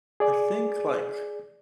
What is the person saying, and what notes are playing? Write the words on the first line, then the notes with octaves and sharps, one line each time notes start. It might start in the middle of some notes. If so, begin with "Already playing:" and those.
I think, like,
G#4 D5